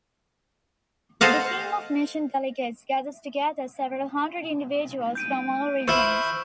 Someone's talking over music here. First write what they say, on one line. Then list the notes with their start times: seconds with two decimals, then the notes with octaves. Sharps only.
The team of mission delegates gathers together several hundred individuals from all regions.
1.21 A4 C5 D#5 F5 F#5
5.15 G6 D7 D#7
5.88 E4 C5 C#6 E6 F6